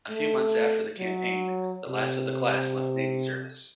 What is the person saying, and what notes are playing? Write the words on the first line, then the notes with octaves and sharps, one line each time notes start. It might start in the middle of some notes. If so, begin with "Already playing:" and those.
A few months after the campaign, the last of the class left Navy service.
A3
F#3
C3